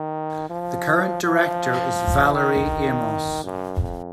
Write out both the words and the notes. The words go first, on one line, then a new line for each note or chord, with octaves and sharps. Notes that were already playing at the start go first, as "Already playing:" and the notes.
The current Director is Valerie Amos.
Already playing: D#3
F3
F3
D#3
F#2
F2